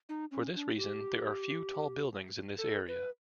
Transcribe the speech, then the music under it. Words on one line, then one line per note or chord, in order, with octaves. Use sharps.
For this reason, there are few tall buildings in this area.
D#4
C#4
D4
G4
A4
B4